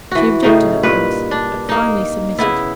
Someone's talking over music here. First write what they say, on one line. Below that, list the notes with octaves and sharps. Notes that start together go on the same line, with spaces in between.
She objected at first, but finally submitted.
E3 F#4
A2 C#3 D#4
G2 A#2 B4
D4
A#3 D#4
C#3 B3 E4